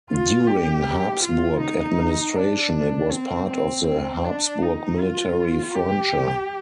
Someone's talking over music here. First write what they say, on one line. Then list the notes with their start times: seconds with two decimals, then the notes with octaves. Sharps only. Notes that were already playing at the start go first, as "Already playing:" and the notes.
During Habsburg administration, it was part of the Habsburg Military Frontier.
0.10 F4
0.48 G4
1.23 F4
1.61 D#4
2.36 D4
3.11 C4
3.49 C4
3.87 C4
4.24 D4
4.62 D#4
5.00 F4
5.76 G4